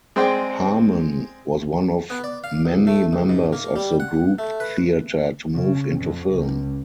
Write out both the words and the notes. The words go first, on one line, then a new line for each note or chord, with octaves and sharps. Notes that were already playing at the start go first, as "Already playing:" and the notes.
Harmon was one of many members of the Group Theatre to move into film.
G#3 C4 G#4 C5 D5 G5
B3
D5
F5
C#2
A3
C#2
G#2
A#3
G3
F#5
A3
B4
C#3
F2
C#2